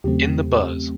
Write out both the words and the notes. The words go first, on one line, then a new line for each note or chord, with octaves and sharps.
In the Buzz!
E2 C#3 F#3 A3 C4 G4